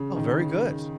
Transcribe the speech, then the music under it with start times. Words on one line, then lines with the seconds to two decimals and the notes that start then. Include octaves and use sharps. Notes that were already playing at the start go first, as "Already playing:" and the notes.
Oh, very good.
Already playing: C#3
0.16 D#3
0.40 C#3